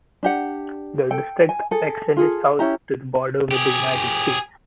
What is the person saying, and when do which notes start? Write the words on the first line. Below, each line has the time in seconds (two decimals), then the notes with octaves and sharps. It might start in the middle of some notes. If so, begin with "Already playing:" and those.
The district extended south to the border with the United States.
0.23 D4 G4 F#5
1.10 A4 G5
1.49 G#5
1.71 G#4 A4
2.17 F4 G#4 A4
2.59 C#4 E4 G4 A#5
3.51 G4 G#4